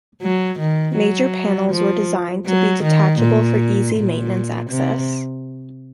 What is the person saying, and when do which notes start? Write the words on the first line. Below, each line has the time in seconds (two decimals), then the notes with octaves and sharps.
Major panels were designed to be detachable for easy maintenance access.
0.22 F#3
0.59 D#3
0.97 F#3
1.72 F3
2.46 F#3
2.83 D#3
3.20 A#2
3.95 A#2
4.70 C3